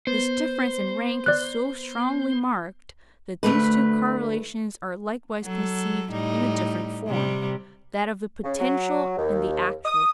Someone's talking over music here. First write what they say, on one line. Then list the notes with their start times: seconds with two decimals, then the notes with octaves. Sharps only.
This difference in rank is so strongly marked, that these two correlations are likewise conceived in a different form--that of the potential and the actual.
0.07 B3 C5
1.26 D5 F#6
3.43 D2 G2 A3 B4
5.44 F#3 A4
6.10 A2 G3 D#4
7.07 C3 G3
8.44 C#3
8.60 F#3
9.17 D#2
9.85 D#6